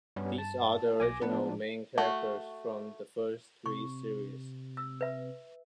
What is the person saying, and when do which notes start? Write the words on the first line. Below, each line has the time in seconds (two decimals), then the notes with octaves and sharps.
These are the original main characters from the first three series.
0.16 G2 G3 B3 C#4
0.38 A5
1.00 B1 G#5 D6 A#6
1.22 A2 F3 B3 D4
1.98 A3 F#4
3.66 C3 C#6
4.77 E6
5.01 B4 E5